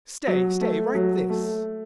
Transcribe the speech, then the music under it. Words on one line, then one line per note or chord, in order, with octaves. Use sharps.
Stay, stay, write this.
F#3
A3
F#3
A3